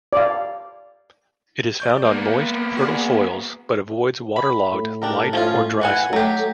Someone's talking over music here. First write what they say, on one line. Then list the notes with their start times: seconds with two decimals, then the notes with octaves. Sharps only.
It is found on moist, fertile soils, but avoids waterlogged, light or dry soils.
0.13 D5 F5
1.80 D5 C#6 G6
2.06 A#3 B3
2.77 F#4 G#4 D5
4.36 B5
4.72 A2
5.02 D4 G4 A#4
5.33 F3 C#4 F4
5.81 E3 F#5 G#5
6.13 F#3 A3 G4